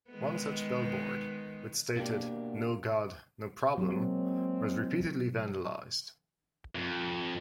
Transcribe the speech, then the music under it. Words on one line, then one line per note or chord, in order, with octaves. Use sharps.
One such billboard, which stated "No God...No Problem" was repeatedly vandalized.
D#3 G#3 B3
B2 A#3 D4 G4
F#3 G#3 A#3 C4
F2